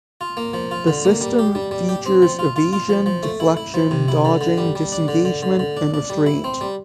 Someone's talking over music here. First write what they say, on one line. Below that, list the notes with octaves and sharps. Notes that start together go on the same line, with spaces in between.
The system features evasion, deflection, dodging, disengagement, and restraint.
F4
A#3
F3
F4
D3
A#3
G3
G4
G3
G3
G4
C4
F3
F4
F4
F4
F3
F3
A3
E4
E4
F3
C3
E4
D3
D3
G3
G3
D4
D3
D3
D3
D3
D4
D4
G3
E4
C4
G3